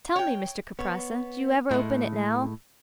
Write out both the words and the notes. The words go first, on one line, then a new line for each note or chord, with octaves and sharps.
Tell me, Mr Kuprasso, do you ever open it now?'
C#5 G5
B3 C#5
A2 G#3 A3